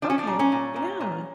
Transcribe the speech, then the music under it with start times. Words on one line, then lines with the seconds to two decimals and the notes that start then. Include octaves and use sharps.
Okay, yeah.
0.02 F3 D4
0.10 C#4
0.18 D4
0.27 A#2
0.39 C#4
0.52 A#2
0.76 A#2
1.01 A#2